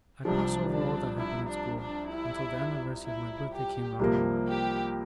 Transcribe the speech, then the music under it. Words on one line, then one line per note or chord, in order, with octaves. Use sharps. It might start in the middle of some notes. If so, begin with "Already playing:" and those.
I PASS over all that happened at school, until the anniversary of my birthday came round in March.
C2 C3 F3 D4
D4
E4
D4
D4
E4
E4
G4
C2 C3 F3 A#3
G4